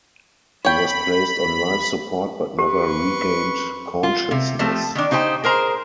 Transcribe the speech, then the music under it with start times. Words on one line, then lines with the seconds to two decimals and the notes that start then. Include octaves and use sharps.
He was placed on life support, but never regained consciousness.
0.65 C#5 G5 B5
2.59 G4 B4 C6 C#6
4.03 F4
4.31 C3
4.59 F3 A3 C4 G4
4.95 D#3 D4
5.11 C#3 D#4 G4 C5 G5
5.44 G#4 A#4 C5 A#5